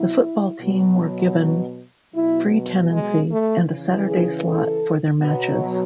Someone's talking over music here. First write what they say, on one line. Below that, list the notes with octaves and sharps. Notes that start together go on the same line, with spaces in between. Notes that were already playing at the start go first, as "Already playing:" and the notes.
The football team were given free tenancy and a Saturday slot for their matches.
Already playing: B2 F#3 E4
B2 F#3
B2 F#3 E4
G#3
A3
C#3 E3
G#4
A4
B2 F#3 B3